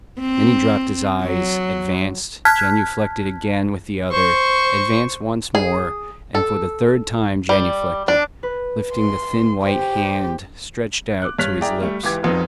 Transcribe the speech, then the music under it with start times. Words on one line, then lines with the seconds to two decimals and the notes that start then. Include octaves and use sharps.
Then he dropped his eyes, advanced, genuflected again with the other, advanced once more, and for the third time genuflected, lifting the thin white hand, stretched out, to his lips.
0.20 C4
1.22 F#3
2.45 A5 F6 F#6 G#6 B6
4.11 C5 C#6
5.55 G#4
6.35 A4
7.49 G3
8.08 D4
8.43 B4
8.94 C6
9.65 G4 C5
11.22 D6 F#6
11.39 G2 C#5 F6 F#6 B6 F7
11.61 E4 G#4 D5 G5 A#5
11.81 G3 A3
12.03 C#2 E3 G4 D6 G#6
12.23 E1 F2 B3 D#4